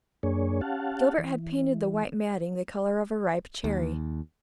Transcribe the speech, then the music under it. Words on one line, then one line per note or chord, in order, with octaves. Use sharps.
Gilbert had painted the white matting the color of a ripe cherry.
F#2 A#3 D4 G#4 C#5
C#4 G4 F5 F#5 A5
E3
D#2